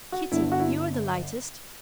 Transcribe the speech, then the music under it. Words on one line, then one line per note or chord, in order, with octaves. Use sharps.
Kitty, you are the lightest.
F#4
G1 G2 D3 E4
F#4
E4